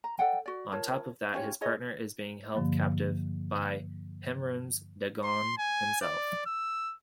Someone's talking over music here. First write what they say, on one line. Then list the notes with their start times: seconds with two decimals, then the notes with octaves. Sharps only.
On top of that, his partner is being held captive by Mehrunes Dagon himself.
0.04 A#5
0.19 A4 D5 F#5 G5
0.46 F#4 D5
0.72 F4 A#4 C#5 A5
1.33 C#4 F4 G4 C#5
1.61 E4 G#4 C#5 D#5
2.54 G2 D3 F3 A#3
5.24 C6
5.58 G#5
6.02 D5
6.46 E6